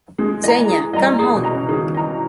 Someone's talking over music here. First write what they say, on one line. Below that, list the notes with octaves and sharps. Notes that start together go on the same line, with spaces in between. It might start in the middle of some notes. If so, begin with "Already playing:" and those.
Zhenya, come on!
G#3 G#4
E3 D#5 A#5
E3 G#4
G3 D#5 A#5
E3 G#4
B2
D#5 A#5
C#3
D#3 G#4
E3 D#5 A#5